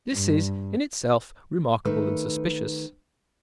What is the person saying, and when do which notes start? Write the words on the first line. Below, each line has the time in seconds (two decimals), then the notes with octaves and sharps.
This is, in itself, remarkable and suspicious.
0.12 G2
1.85 D#3 A3 B4